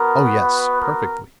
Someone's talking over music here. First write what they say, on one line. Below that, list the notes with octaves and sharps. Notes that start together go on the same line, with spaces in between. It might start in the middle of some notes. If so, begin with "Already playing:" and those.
"Oh, yes--perfectly."
Already playing: B3 F#4 A#4
B4
A#4